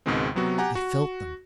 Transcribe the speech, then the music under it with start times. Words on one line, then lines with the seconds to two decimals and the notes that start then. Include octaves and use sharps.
I felt them.'
0.06 C#2 G#2 B2 D#3 G#3 C4
0.36 C3 F#3 B3 F#4
0.58 G4 F#5 G#5 A#5
0.75 F#4